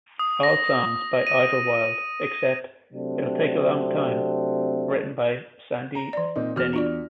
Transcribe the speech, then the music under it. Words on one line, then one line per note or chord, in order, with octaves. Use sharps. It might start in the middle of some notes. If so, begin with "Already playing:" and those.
All songs by Idlewild except "It'll Take A Long Time," written by Sandy Denny.
D#6
A#6
D#7
C3 F#3 A3 C4 D4
A#5
E3 D5
A#2 C4 D#4
E2 F#4 F6
D4 F4 D5